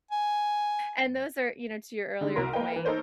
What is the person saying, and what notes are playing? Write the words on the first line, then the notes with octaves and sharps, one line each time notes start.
And those are, you know, to your earlier point,
G#5
D3 G#3 D#4
C2 F#4 A#4 C6
A#3 A#4 B4 D#5 F5 G5
E3 A#4
D#4 A4 A#4 C5 C#5